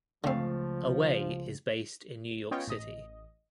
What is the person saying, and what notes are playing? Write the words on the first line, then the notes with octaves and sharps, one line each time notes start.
Away is based in New York City.
C#2 D3 F3 A3 C4 F5
B3 C#4 F4 C#5 D#5 G5
A1 D#5